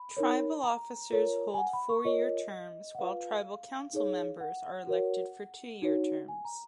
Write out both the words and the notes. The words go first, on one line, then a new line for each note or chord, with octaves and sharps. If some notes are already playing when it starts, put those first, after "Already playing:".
Tribal officers hold four-year terms while tribal council members are elected to two-year terms.
Already playing: B5
D#4 A#4 C#5
A#5
F4 A#4 C#5
G#5
F#5
B5
C#6
F4 A#4 C#5 D#5
F#5
F4 B4 F5
D#4 G#4 C#5
F#5
F#4 A#4 C#5
D#4 F#4 C#5
G#5
A#5